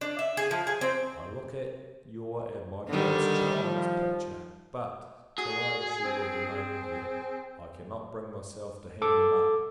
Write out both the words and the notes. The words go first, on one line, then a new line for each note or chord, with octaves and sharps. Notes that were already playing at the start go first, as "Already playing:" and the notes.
I look at your and my God's Child's picture; but, till I am sure of remaining here, I cannot bring myself to hang them up.
D4
E5
G#4
F3
G#4
C4
D3 D#3 G3
F3
F#4 G#4
C4
A4 D6